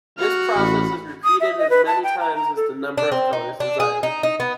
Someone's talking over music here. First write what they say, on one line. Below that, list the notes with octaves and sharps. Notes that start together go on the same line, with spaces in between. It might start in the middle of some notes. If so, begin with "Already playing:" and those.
This process is repeated as many times as the number of colours desired.
F#4 F6
A1 B5
D#6
E5
D#5
B4
A5
G5
A#5
A#5
A4
D4
C4
D#4
D4
G#4
D#4
D#4
B3